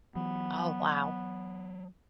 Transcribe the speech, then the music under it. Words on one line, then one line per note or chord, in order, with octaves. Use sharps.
Oh, wow.
E3 F#3 B3